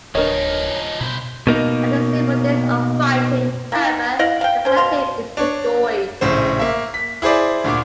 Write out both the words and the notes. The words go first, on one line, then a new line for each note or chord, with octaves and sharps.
After several days of fighting, however, the Collective is destroyed.
D1 F3 D4 D#4 A#4 B4 C#5 D#5
B2 E4 C5
B2 A#3 D#4
A#3 E4
D#4
E4 D#5 F5 F#5
F5 G5
C#4 C5
B2 F5 C6
D4 C#5
A#1 A2 C#3 C5
A#3 E5
B6
E4 G#4 C5 D5
D2 A#2 D6